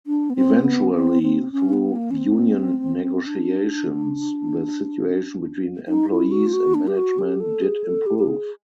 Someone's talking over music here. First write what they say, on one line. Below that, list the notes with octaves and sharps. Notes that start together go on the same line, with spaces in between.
Eventually, through union negotiations, the situation between employees and management did improve.
D4
B3
C4
B3
C4
C4
C#4
B3
A#3
C#4
C4
D4
D#4
E4
F#4
F4
F#4
D4
G4
F#4
G4
A4
G#4
A4
G4
G4
G#4